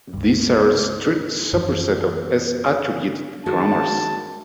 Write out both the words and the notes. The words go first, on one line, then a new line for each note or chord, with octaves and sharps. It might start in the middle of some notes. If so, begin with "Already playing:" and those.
These are a strict superset of S-attributed grammars.
C#2 G2
F#2 E3 F3
D#3 G#3 F#4 A5